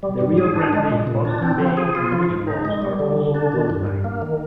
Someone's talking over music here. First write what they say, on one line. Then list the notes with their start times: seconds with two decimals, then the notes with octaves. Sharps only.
The Rio Grande, Boston Bay and Reach Falls are also close by.
0.03 G3
0.21 G#2
0.38 G#4
0.55 D4
0.73 G#3
0.90 A#2
1.07 A#2
1.25 D4
1.42 C4
1.60 F3
1.77 G#4
1.95 F4
2.12 F3
2.30 G#2
2.47 D#4
2.65 G#3
2.82 G3
2.99 D3
3.17 D3
3.34 D4
3.52 D#3
3.70 G2
3.87 G2
4.04 A#3
4.22 D#3